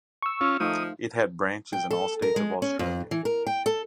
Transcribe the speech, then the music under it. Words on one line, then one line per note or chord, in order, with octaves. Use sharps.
It had branches in all states of Australia.
C#6 E6
C#4 F4
F3 A3 D#4 F4 D#6
G5
A4
A#4
G#3
C#4
F2
E3
A#4
G5
A4